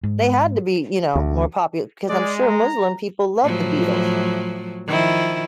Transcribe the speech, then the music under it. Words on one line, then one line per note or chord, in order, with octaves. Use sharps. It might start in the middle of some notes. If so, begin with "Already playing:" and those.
they had to be, you know, more popu 'cause I'm sure Muslim people loved the Beatles.
G#2
D2
G#3 D5
A#5
A2 F3 F#3
D#3 F3 E4